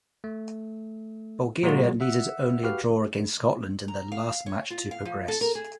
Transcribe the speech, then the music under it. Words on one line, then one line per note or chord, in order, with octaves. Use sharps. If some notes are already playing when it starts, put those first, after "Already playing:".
Bulgaria needed only a draw against Scotland in their last match to progress.
A3
A#2 F#3 G#3 F4 F#4
E5 F#5 E6
F#4 G4 B4 F5 F6
A#5
F5
C#5
F4
F5
F3
A4
A#4
G#4